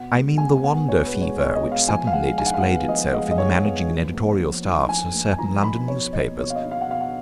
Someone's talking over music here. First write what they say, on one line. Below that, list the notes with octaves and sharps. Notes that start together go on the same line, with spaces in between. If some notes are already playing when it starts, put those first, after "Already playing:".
I mean the wander fever which suddenly displayed itself in the managing and editorial staffs of certain London newspapers.
Already playing: B2 F#5
G#3
B2 G#5
B3 F#5
B2 C#5
B4
G#3
C#5
B2 C#5
D#5
B3
F5
F3 G#5
F5
G#3 F#5
D#4 G#5
F#5
F5
B3 F#5
F3 D#5
G#3 D#5
D#5
D#4 C#5
B3
F3
A#3
F3
D#4
F3 G#5
A#3
G#5
F3 A#5
D#4 B5
B2 C#5
A#3 D#5
B2 C#5
F5
D#5
D#4
F5
F#5
B2 F5
F#5